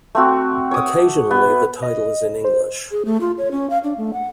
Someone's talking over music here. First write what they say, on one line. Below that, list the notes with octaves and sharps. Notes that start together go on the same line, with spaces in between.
Occasionally, the title is in English.
A3 C4 F#4
C#5 D6 D#6
B3
D#5
C5
G#4
A3
F4
C#5
C#4
F5
D4
A3
F#5